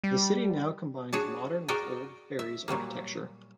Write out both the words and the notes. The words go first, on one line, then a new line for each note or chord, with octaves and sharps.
The city now combines modern with old faries architecture.
G3
D4 F#4 G#4 C#5
F#4 G#4 A#4 D5 G5 G#5
E5
A#2 F#3 G3 A#3